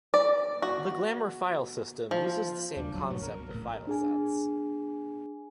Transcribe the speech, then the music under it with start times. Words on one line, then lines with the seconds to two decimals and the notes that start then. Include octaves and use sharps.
The glamor filesystem uses the same concept of filesets.
0.14 D5
0.62 F#4
2.11 F3
2.76 D#2 C#3 G3 D4
2.93 E1 B1 F#3
3.10 G#2 B2 A3
3.21 C#2 C#3 B3 A#4
3.34 G2
3.50 A1 A2
3.87 D4 G#4 G#5